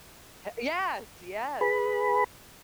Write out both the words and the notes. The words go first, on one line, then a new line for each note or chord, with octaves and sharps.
yes, yes,
G#4 B4 B5